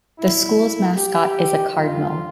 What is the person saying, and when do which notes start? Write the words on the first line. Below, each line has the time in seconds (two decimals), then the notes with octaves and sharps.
The school's mascot is a cardinal.
0.19 E2 B2 G3 E4
0.97 G4
1.74 F2 D3 G3 F4